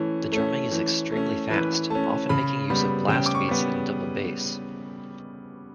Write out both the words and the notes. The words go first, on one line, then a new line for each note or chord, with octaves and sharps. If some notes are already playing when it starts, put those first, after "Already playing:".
The drumming is extremely fast, often making use of blast beats and double bass.
Already playing: E3 A3 C#4
A3 C#4
E3
A3 C#4
E3 B4
A3 C#4 A5
C#3 B5
G3 B3 B5
C#3 G5
D6
C#6
G3 B3